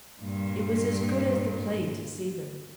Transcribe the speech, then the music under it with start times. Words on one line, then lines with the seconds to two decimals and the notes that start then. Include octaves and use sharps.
It was as good as the play to see them.
0.21 G2 A#2